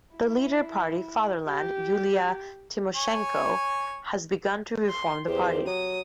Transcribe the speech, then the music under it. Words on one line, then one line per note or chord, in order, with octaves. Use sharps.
The leader party "Fatherland" Yulia Tymoshenko has begun to reform the party.
E4
G4
C#5 G#5
C6
E2 G4 C5
F#3 D#6